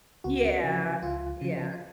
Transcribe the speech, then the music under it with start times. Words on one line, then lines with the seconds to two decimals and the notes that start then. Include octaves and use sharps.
Yeah. Yeah.
0.24 C#2 F#4
0.64 C#3 F3
1.02 C#2 F4
1.41 C#3 F3